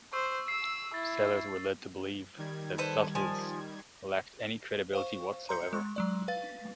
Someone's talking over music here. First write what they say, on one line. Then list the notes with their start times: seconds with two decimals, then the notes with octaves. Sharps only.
Sellers were led to believe that Suttles lacked any credibility whatsoever.
0.13 C5 C#6 E6
0.48 E6 C7
0.94 E4 A6
2.38 D#3 G3 G#6
2.78 A4 B4 C5
3.15 F3 G#5
4.93 C5 F5 C#6
5.49 A#5 C6 G6 C#7
5.73 G#3 C#6
5.96 F#3 G#3 D5
6.28 B4 F5 A6